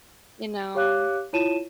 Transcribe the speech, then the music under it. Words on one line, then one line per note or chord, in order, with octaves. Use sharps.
you know
G4 C#5 F5 D6 F#6
E4 F4 C#5 A5 D#7 E7